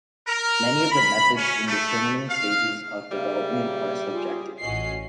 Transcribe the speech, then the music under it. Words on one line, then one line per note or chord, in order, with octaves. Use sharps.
Many of the methods in determining stages of development are subjective.
A#4
B5
C#4
A3
F5
C#3 G3 A#3 E5
F4 G#4
A1 C#4 F#4 D#5 C7